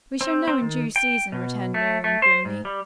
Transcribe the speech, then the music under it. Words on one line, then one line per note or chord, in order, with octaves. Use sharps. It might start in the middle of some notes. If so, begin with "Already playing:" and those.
"We shall know in due season," returned Miriam grimly.
C4
C4
D#3
G5
B2
A3
A3
C5
G#2
G3